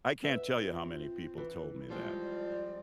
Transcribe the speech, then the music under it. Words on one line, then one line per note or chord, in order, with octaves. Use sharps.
I can't tell you how many people told me that.
B4 E5
C4 F4
E3
F3 G3 G#3 C4
D5